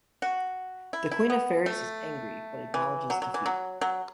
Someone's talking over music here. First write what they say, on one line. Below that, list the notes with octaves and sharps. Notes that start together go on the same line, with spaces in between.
The Queen of Fairies is angry but acknowledges defeat.
F#4
E4
E4
B3
A3
E3
F#3
F#3
E3
F#3
F#3